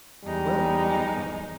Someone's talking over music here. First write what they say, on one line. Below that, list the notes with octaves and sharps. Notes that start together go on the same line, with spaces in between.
Well, you can't.
E2 G3 G#3 D#4